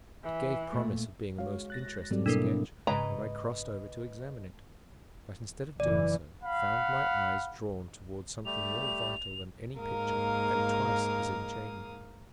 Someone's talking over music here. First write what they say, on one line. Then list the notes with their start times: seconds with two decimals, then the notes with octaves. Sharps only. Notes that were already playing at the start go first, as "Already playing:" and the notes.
It gave promise of being a most interesting sketch, and I crossed over to examine it; but instead of doing so, found my eyes drawn toward something more vital than any picture and twice as enchaining.
0.23 E3
0.73 A#2 A3
1.38 G#3 F#4 C#5 F5
1.70 F#6 A6 A#6
2.11 G#2 F#3 G3 C4 A4 D5
2.26 B2 A#3 D4 E4 A4 A#4
2.87 G#2 C#3 G#3 B4 D#5 A#5
5.80 F#1 E3 D5
6.44 F5 F#5 B5
8.46 G3 A3 G4 F7
9.78 G#2 A#3 A#4 F5 D#6